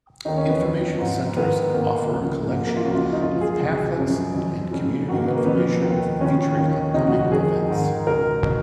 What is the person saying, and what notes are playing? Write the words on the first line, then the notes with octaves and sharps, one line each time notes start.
Information centers offer a collection of pamphlets and community information featuring upcoming events.
D#2 D#3 D#4
C#4
B3
F2 F3
G#2 F3
G#2 D#3 B3
G#2 D#3 A#3
C#2 C#3 F3
G#2 F3 A#3
A#3
F4
C#2 C#3 F3 F#4
F4
D#4
F#2 F3 F4
G#4
C#2 B2 G#4
F#2 C#3 F3
F2 F3
F2 C#3 F3
G#2 D#3 F#4
A#3
B3
A#3
F2 C#3 F3 B3
D#2 D#3
D#2 C#3 F3 C#4
D#2 D#3
C#2 C#3 F3 D#4
F#4
F#4
F2 D#3 G#4
G#2 D#3
C#2 B2 A#4
B2